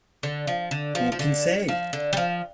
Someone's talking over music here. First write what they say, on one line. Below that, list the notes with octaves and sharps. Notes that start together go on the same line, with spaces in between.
Who can say?
D3
F3
D3
F3
F3
D3
F3
D3
G3
F3